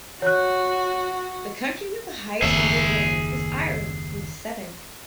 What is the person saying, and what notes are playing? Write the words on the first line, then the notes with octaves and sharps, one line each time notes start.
The country with the highest number of wins is Ireland, with seven.
F#4 C#5 F#6
F#1 D#2 G#4 E5